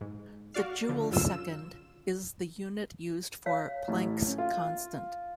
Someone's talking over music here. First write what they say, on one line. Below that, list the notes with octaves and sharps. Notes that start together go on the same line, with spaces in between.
The joule-second is the unit used for Planck's constant.
G#2
F#4 D5 F5
D3 F3
F#2 C#3 F4 E6 E7
C#5 F5
A1 A2
C#4
F4